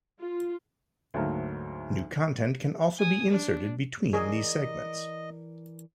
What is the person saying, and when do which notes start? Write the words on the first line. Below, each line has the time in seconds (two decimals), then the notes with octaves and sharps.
New content can also be inserted between these segments.
0.20 F4
1.14 D2 G#2 F#3 A3 A#3
2.98 G#5 D#6
3.30 D4
4.13 E3 G#4 A#4 D5 D#5